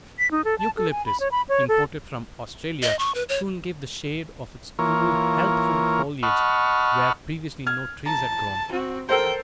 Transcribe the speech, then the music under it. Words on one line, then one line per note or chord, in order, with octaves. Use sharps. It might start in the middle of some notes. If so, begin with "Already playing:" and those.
Eucalyptus, imported from Australia, soon gave the shade of its cool, healthful foliage where previously no trees had grown.
B6
D#4
A4
A5
A4
G#5
B5
C#5
B5
C#5
A4
D#5
C#6
B4
C#5
E3 A#3 F4 A#4 C#5
D#5 F#5 A5 B5 C#6 F6
F6 G#6
A5 A#5
C4 F#4
A4 A#4 C5 G5